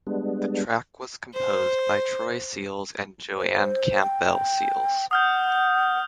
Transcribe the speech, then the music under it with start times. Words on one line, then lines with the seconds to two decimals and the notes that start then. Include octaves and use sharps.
The track was composed by Troy Seals and Jo Ann Campbell Seals.
0.07 G3 G#3 B3 D4
1.34 C5
3.37 C5
4.02 G5
5.11 F#5 D#6 F6 G6